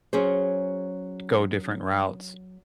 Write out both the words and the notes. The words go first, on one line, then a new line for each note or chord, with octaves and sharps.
go different routes.
F#3 C#4 G#4 C5